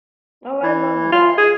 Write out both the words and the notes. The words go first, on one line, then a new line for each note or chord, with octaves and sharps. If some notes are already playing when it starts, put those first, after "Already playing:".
Oh, I love that.
E3
F4
G#4